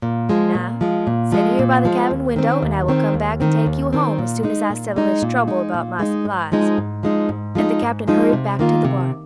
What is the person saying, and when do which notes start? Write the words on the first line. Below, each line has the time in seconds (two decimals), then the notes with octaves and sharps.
"Now, sit here by the cabin window, and I will come back and take you home as soon as I settle this trouble about my supplies," and the Captain hurried back to the wharf.
0.02 A#2
0.29 F3 G#3
0.55 A#2
0.81 F3 G#3
1.07 A#2
1.32 F3 G#3
1.59 A#2
1.85 F3 G#3
2.11 D#2
2.36 D#3 C4
2.62 D#2
2.88 D#3 C4
3.14 D#2
3.40 D#3 C4
3.66 D#2
3.93 D#3 C4
4.19 A#2
4.43 G#3 D#4
4.70 A#2
4.96 G#3 D#4
5.22 A#2
5.48 G#3 D#4
5.74 A#2
5.99 G#3 D#4
6.25 G#2
6.52 F3 G#3 D#4
6.78 G#2
7.03 F3 G#3 D#4
7.29 G#2
7.55 F3 G#3 D#4
7.82 G#2
8.08 F3 G#3 D#4
8.33 C3
8.59 D#3 A#3 F4
8.85 C3